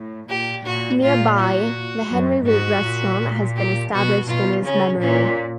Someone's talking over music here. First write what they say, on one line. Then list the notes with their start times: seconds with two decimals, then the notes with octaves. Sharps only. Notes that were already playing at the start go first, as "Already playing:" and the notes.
Nearby, The Henry Root restaurant has been established in his memory.
Already playing: A2
0.29 A#2 G4
0.66 A#2 F#4
1.02 A#2 F4
1.39 F#4
2.12 F#2
2.47 G#2 F#4
2.84 A#2
3.57 G4
3.92 B2 F#4
4.28 B2 F4
4.64 C#3 C#4
5.01 A#2 C#4